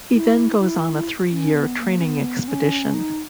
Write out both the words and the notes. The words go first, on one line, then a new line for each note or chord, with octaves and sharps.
He then goes on a three-year training expedition.
E4
E4
C#4
B3
B3
A#3
C#4
B3
C#4
D#4